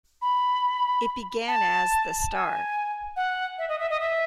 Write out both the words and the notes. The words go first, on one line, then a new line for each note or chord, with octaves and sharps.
It began as "The Star".
B5
A5
A5
G#5
F#5
E5
D#5
E5
D#5
E5